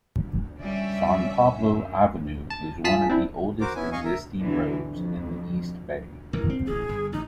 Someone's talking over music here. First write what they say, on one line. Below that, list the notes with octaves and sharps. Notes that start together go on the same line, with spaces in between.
San Pablo Avenue is one of the oldest existing roads in the East Bay.
G3 C#4 D5 E5
F#2
A5
F4 G#4 A5 B6
C4 D4 E4
F#4 A#4 C5 D6
B3 C#4 E4 G#5
D#5 F5 G#5 C#6
A#4 E5
B2 D3 E3 F#3
F2
A1 E3 A#4
C4
A1 G#4
G1
A1 D#4